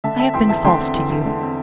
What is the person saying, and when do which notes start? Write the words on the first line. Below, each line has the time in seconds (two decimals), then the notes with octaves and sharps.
I have been false to you.
0.04 D3 E5 A5
0.19 C4 E5 A5
0.34 E2 G5 C6
0.49 E2 E5 A5
0.64 D3 G5 C6
0.80 C4
0.95 E2
1.10 E2
1.26 D3
1.41 C4